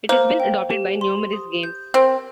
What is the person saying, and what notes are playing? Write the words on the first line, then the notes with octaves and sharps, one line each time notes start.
It has been adopted by numerous games.
A#3 C5
G5
G4
C6
D#6
G6
C4 A#4